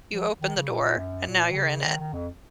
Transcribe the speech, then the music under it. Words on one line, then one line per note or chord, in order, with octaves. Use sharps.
You opened the door, and now you're in it.
F3
D#3
C#3
A#2
F#2
A#2
D#3
C#3
D#3
D#3
F2